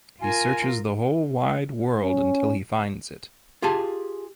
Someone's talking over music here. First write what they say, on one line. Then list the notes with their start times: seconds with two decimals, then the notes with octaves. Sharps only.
He searches the whole wide world until he finds it.
0.21 F4 A#4 G#5
2.04 C#4
3.62 F4 G4 G#4 G#5 A5